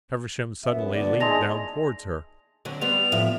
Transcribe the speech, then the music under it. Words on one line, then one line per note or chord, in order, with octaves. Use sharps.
Feversham suddenly leaned down towards her.
F#2 B3 E5
A#2 D3 B3 D5
G#3 D#4 E4 G#4 A5 A#6 F7
D3 F#3 C4
G3 B3 C4 F7
A2 F3 E5